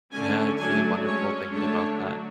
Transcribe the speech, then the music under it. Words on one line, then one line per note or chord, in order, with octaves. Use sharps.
Yeah, it's really wonderful thinking about that,
D3 A3 C#4 G#5
F#3 A3 D4 G#5
G#3 C#4 C#5
D3 A3 D4 C#5
F#3